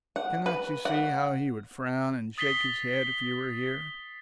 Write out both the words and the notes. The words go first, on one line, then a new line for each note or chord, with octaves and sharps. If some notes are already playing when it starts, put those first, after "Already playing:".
Cannot you see how he would frown and shake his head if you were here?
F#5
B4
F#5
D#6 A6 B6 C7 G7